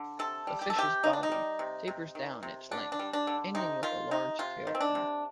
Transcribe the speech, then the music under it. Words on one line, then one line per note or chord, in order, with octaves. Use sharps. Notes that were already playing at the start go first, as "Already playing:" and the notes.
The fish's body tapers down its length, ending with a large tail fin.
Already playing: D3
C3 A4
G3
G4
A4
C3 G4
C3 D#4
D4
D#4
G3
C3
C3
D#3
C3
D3 D4
D4
G3
D4
D3
C3 D#4
D#3 F4
C3 D#4
C3 F4
D#3
C4
D4
C3